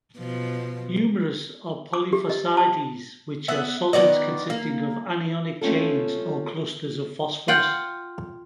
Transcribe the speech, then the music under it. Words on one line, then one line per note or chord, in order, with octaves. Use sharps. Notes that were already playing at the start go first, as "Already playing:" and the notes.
Numerous are polyphosphides, which are solids consisting of anionic chains or clusters of phosphorus.
B2 F3
D6
G4
D#5
A5
B3 E5 F#5
D#3 B3 D5 D#5
A#3
A3 C4 C#4 F4 A4
F4 F#5 G5